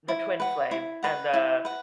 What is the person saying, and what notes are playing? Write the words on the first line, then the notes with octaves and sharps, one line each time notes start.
the twin flame, and the
E4
B4 F#5
E4
B4 F#5
E4
B4 F#5